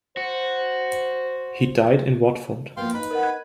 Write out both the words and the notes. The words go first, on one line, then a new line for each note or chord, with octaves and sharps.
He died in Watford.
F#4 C5
F3 A#3 B3 F5 G5 C6
D#4 B4 B5
A#4 D#5 F#5
F#6 G#6 D#7